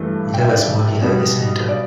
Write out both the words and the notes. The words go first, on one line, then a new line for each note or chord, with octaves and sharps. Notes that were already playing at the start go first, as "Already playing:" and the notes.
It has a small hill at the center.
Already playing: G2 E3 A3
G5
E5
D5
E5
B2 G3 B3
D5